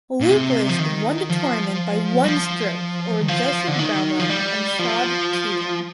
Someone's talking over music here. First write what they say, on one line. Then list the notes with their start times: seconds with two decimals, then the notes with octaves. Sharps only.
Luke List won the tournament by one stroke over Joseph Bramlett and Shad Tuten.
0.20 A#2
0.29 C3
0.69 F3
0.79 D#3
1.29 F3
2.24 G3
2.28 F3
3.21 D#3
3.28 F3
3.67 D3
3.79 D#3
4.20 F3
4.30 G3
4.79 F3